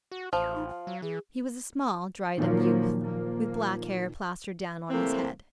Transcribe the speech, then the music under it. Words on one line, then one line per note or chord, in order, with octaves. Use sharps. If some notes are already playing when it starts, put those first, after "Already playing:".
He was a small, dried-up youth, with black hair plastered down on his head.
F#4
A1 F3 F5
D#4
F5
F#3
E3 G#4
A#2 D#3 F3 F#3 A#3
F3 A#3
C3 E3 A3 A#3 C4